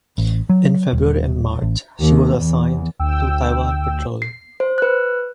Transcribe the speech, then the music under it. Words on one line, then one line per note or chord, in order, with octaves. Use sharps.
In February and March, she was assigned to Taiwan patrol.
A1
F#3
D#1
A1
D#2
E2
D2 G5 E6
C7
C5
B4 F#6